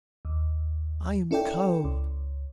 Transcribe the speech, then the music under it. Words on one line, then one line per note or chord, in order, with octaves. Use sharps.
"I am cold."
D#2
C#4 E4 A4 D5 G5
C#2